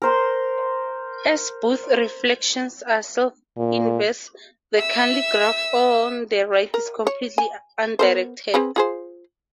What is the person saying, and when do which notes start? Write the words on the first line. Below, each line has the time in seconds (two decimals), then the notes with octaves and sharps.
As both reflections are self-inverse the Cayley graph on the right is completely undirected.
0.02 A#4 C5 C6
3.57 A#2
4.77 E5 E6
6.74 A#4
7.07 C#5
7.38 G#5
7.99 B3 A#4 C5
8.54 C4 G#4 B4
8.76 F4 G#4 C5